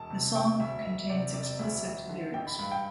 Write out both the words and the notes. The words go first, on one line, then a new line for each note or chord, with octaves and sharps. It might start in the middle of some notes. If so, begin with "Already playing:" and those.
The song contains explicit lyrics.
Already playing: E1 A5
C3
E1 G5
D2 E5
E1 E5
C3 D5
E1 D5
D2 E5
A1
D3
A1 G5
B5
G2 B5
G5